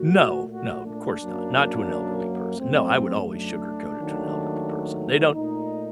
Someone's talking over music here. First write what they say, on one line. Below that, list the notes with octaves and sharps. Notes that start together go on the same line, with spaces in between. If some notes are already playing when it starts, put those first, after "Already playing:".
No, no, of course not, not to an elderly person, no, I would always sugarcoat it to an elderly person. They don't
Already playing: A#2 A3 F#4
F#4
D4
F#2 F#3 A#3
F#2 F#3 A3 C4
D4
D#2 D#3 F#3 A3
A#2 A3 D#4